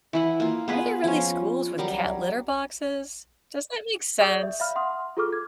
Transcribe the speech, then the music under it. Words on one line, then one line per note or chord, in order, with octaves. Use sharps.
are there really schools with cat litter boxes? Does that make sense?"
E3 E4 F#5
A#3 F4
B3 G#4 B4
F3 C#4
F#3 G3 A#4
G#4 D5 C#6 D#6 G6
E5
E5 F5 B5 F6
E5 F#5 C6 D#6
F4 G#4 A4 C#6 D6 F6
G#6